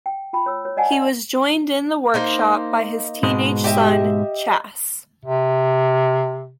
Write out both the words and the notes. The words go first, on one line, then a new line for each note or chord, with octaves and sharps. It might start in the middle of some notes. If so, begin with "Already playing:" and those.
He was joined in the workshop by his teenage son Chas.
G5
F4 G5 B5
C#5 E6
C#5
D5 D#5 F#5 G#5 A5
D5
A#3 D#4 C5
G#2 B2 G#3
G4 D#5 E5
C3